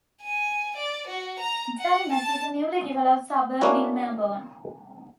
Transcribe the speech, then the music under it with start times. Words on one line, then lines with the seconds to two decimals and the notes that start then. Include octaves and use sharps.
Derrimut is a newly developed suburb in Melbourne.
0.23 G#5
0.77 D5
1.07 F#4
1.39 A#5
1.79 F#5
2.12 A5
3.61 A#3 C#4 D4 E4 F#4